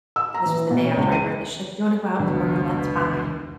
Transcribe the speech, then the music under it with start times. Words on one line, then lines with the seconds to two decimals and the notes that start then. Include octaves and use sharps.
this was the day after my birthday, she like, "You wanna go out tomorrow, that's fine,"
0.16 E6
0.34 A#5
0.46 E3
0.70 B2
0.84 C#4
0.97 C#2
1.12 D#7
2.20 F1 C#2 B2 D#3 F3 F#3 D4